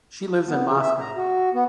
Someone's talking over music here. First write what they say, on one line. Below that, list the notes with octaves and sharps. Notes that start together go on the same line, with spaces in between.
She lives in Moscow.
B3
C#3
E5
A#5
F#4
B3